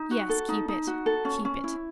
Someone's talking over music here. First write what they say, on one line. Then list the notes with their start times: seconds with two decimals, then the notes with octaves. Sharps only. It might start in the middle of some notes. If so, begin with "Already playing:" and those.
"Yes, keep it--keep it."
Already playing: D#4
0.11 F#4
0.29 A4
0.49 D#4
0.68 D#4
0.87 F#4
1.06 A4
1.25 C#4
1.45 C#4
1.64 E4